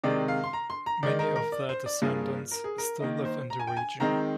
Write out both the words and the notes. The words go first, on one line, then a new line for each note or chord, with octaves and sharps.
Many of their descendants still live in the region.
C3 D#3 G#3 C4 D#4 D5
F5
C6
A#5
C6
A#5
D#3 G#3 D#4 D5
A#4
A#4
D5
C5
D5
G2 F3 A#3 F4 G#4
A#4
G#4
A#4
D#3 A#3 D#4 D#5
C5
A#5
G#5
G5
G#5
D#3 G#3 C4 D#4 A#5